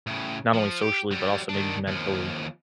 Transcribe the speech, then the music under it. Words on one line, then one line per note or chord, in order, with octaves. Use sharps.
not only socially, but, also maybe mentally.
A2 C#3
F3
G4
F#3 G3
D#3 D4
D#2 F3